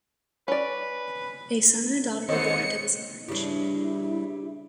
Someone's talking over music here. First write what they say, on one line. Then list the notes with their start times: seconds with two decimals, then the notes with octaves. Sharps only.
A son and a daughter were born to this marriage.
0.48 C#4 B4 D5
2.29 D#2 B3 C4 C5 C#5 D#5 C#7
3.28 C#3 G3 D4 E4 G4 B4